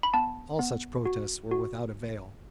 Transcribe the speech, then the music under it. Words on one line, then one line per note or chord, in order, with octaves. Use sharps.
All such protests were without avail.
B5
B3 A5
B3
F#4
F#4